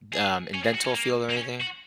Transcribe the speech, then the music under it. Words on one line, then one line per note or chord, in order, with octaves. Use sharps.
d um, in dental field or anything?
G#4
C#4
G#4
F#4
C#4
A#3
A#3
C#4
F#4